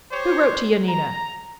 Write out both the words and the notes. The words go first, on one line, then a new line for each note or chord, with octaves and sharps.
"Who wrote to Yanina?"
G4 C5 C#5
A#5